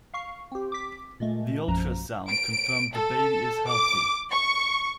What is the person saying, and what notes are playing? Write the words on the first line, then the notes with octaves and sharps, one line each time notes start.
The ultrasound confirmed the baby is healthy.
F5 C#6 C7
C4 G4
D6 B6
A#2 G#3 A3
A#1 F#2 F3 A#5
D7
A4
D6
C#6